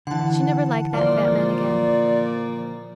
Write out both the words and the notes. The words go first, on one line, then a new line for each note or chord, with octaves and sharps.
She never liked that fat man again.
D3 E3 F#5 A5
A#2 F3 C5 D5